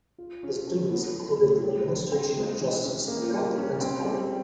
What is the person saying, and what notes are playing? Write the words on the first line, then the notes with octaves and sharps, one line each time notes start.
His duties included the administration of justice throughout the principality.
F4
C#4
A4
B3
F#3
A2
G3
D3
C4
G#3
E3
C#4
A#3
G3
C#4
C4
G3